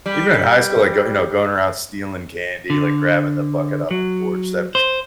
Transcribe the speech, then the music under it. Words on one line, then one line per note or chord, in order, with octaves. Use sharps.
Even in high school, like, go you know, going around stealing candy, like grabbing the bucket off the porch, that
G3
D3
F#3
C5